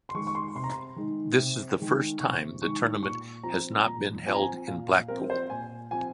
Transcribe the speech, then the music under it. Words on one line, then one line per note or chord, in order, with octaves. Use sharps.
This is the first time the tournament has not been held in Blackpool.
C6
D#3 G#3 D#4 C#6
C#6
C6
C3 C6
A#5
C6
D#3 G#3 D#4
C3
D#3 G#3 D#4
C3 C#6
D#3 G#3 D#4 C#6
A#2 C#6
F3 C4 F4 A#5
A#2 A#5
F3 C4 F4 G#5
A#5
G#5
A#2 F5
F5
F3 C4 F4 A#4
C5
A#2 G#5
F3 C4 F4 G#5